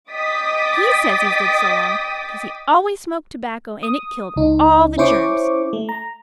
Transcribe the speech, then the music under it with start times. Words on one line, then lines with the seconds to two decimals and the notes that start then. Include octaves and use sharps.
He says he's lived so long 'cause he always smoked tobacco and it killed all the germs.
0.12 D#5 G5 D6 D#6 A6 B6
3.83 D#6
4.36 C#2 D#4
4.98 C#4 E4 C5 C#6 D6
5.73 A3
5.89 A#5